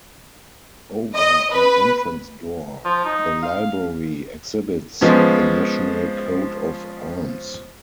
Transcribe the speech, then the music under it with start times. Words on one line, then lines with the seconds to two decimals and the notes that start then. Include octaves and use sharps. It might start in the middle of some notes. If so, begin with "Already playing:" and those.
Over the entrance door, the library exhibits the national coat of arms.
1.16 D#5
1.51 B4
2.84 F3
3.05 D#4
3.43 F5
5.01 F3 G#3 B3 C#4